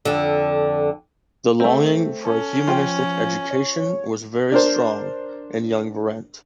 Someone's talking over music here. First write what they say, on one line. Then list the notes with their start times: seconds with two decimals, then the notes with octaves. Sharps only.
The longing for a humanistic education was very strong in young Berent.
0.05 F2 D3
1.60 A3 C4
2.24 C#4 A4
2.67 F3 F4 G5
3.51 C#5
4.52 D4 A#4 C5